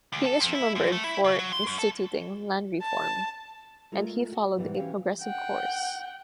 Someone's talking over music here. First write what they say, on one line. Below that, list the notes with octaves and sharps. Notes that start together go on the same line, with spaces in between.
He is remembered for instituting land reform, and he followed a progressive course.
D2
A4
F2
E4
F#2
A3
E4
C#3
F#3
C6
F#2
A4
A5
G#3 A3 F4 A4 A#4
F#4
G#2 B2 E3 G3 B3
E3 C#4 F#4 G4 F5
F#5 G5